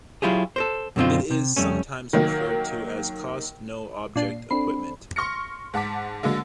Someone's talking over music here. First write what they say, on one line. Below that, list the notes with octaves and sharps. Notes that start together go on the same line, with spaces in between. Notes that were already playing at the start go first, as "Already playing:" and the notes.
It is sometimes referred to as cost-no-object equipment.
F#3 E4 F4 G4 G#4
A4 A#4 C5
F#2 B2 D3 C4 D#4 F4
C3
F2 G3 A3 C#4
D#3 F#3 A#3
A#2 D4 C7
C4 D4 A4 B5 C7
C6 C#6 F6 A#6 C#7
G#2 F#5 A5 D6 B6
D3 F#3 G#3 A#3